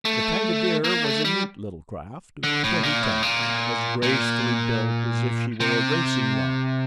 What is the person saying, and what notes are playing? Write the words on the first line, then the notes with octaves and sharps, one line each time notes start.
The Tankadere was a neat little craft of twenty tons, as gracefully built as if she were a racing yacht.
A3
A#3
A3
G3
D3
A2
A#2
A2
A#2
A#2
C3